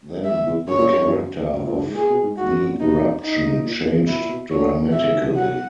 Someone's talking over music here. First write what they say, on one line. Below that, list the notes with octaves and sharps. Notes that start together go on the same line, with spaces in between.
Then the character of the eruption changed dramatically.
E5
E2
F#2 C#5
A#2
F#2
E2
F#2
F#2
A#2
F#2
G#2
A#2 G#4
B2
G#2
G#2 F#4
F#2
F#2
A#2
B2 D#4
D#4
A#2
B2
C#3
B2 E4
A#2
B2
A#2 C#5
B2 E5
C#3
D#3
E3
F#3 F#5